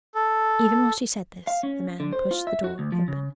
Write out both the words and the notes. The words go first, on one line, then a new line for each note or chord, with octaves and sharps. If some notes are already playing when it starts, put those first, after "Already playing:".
Even while she said this, the man pushed the door open.
A4
F5
C#4
D3
C5
F4
E5
F#4
D2
F3
C#3